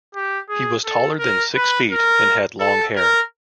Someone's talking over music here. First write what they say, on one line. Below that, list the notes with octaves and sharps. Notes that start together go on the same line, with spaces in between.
He was taller than six feet and had long hair.
G4
G#4
A4
A#4
B4
A#4
A4
A#4